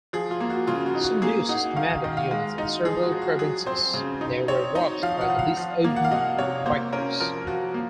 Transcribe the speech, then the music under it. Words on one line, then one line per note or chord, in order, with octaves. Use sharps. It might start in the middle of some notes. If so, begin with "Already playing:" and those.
Some duces commanded units in several provinces: they were watched by the diocesan vicars.
F3 G#4
F4
A#3
F#4
C#3 F4
F#4
D#4
F#4
A#3 G#4
D#4 F#5
D#3 F5
F5
D#3 D#5
F5
G#3 F5
D#4 D#5
F3 G#4
F#4
F3
F#4
F#3 G#4
C4 C5
C#3
D#4
C4 C#5
D#4 D#5
F3 F5
F#5
F3
F5
F3
A#3
F#5
F5
C3 D#5
C3 C#5
A#3 C5
C#4 A#4
F3 A#4
F3 F#4
A#3